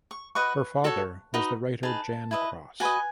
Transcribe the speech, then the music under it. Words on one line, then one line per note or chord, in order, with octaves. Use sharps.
Her father was the writer Jaan Kross.
C#6
F#4 B4 D#5 C#6
F#4 A4 C#5
D#4 F#4 B4 D#5
D#4 G#4 B4 A5
E4 B4 D#5
F#4 B4 D#5 G#5